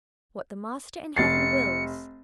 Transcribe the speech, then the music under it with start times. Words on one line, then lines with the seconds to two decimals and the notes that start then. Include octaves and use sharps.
"What the Master in heaven wills!"
1.16 F1 A6 C7 C#7